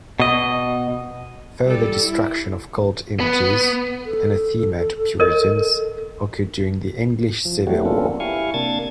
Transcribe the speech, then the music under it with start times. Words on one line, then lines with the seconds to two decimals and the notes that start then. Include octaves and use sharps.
Further destruction of cult images, anathema to Puritans, occurred during the English Civil War.
0.20 B2 D#5
1.66 G3 A4
2.03 E4
3.20 B3
4.06 A4
5.20 A#4 D#5
7.45 F3
7.67 E3 F#3 G3 A3 F#4 G4
7.85 A#3 B3 C#4 D4 F4 A4
8.20 E4 G4 F5 G#5 C#6
8.54 C3 A#3 D4 A5 G#6 A6